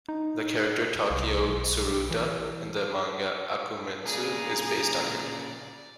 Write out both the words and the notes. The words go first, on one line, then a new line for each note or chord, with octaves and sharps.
The character "Takeo Tsuruta" in the manga "Akumetsu" is based on him.
D#4
C2
B1
E3
A#2 C#3 G#4 D5 A#5